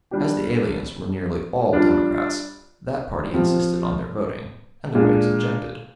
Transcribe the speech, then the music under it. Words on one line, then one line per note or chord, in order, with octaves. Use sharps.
As the aliens were nearly all Democrats, that party insisted on their voting, and the Whigs objected.
G3 D4 G4
G3 D4 F4
F3 C4 G4
A#2 G#3 D4